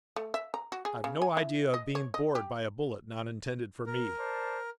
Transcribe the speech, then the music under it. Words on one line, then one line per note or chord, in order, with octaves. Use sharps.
I've no idea of being bored by a bullet not intended for me.
A3
E5
A#5
F#4
G#4
C#3
G#5
E4
D#5
C#5
D#5
G4
A#4
C5 D5 A5